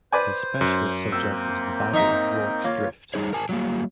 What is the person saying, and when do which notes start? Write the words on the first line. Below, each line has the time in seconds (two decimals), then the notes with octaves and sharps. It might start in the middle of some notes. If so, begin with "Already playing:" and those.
His specialist subject was the Battle of Rorke's Drift.
0.12 B4 C5 D5 G#5
0.61 F#2
1.12 A#3 C4 E6 G6
1.94 D#4 E5 A#5
2.64 A#3 F4 C#5
3.14 G3 D#4 G#4 C5 C#5
3.33 A#4 G#5 A5
3.49 F#3 G3 A#3